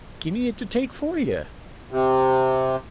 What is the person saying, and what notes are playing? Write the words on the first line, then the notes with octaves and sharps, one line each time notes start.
'Gimme it to take for you.
C3